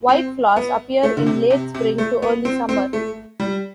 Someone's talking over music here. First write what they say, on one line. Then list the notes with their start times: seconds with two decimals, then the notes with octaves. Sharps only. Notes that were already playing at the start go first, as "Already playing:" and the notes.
White flowers appear in late spring to early summer.
0.09 C4
0.56 B3
1.03 A3
1.17 D3
1.27 C3
1.50 C3
1.75 C3
1.98 A3
2.22 B3
2.45 C4
2.69 C4
2.93 A3
3.40 G3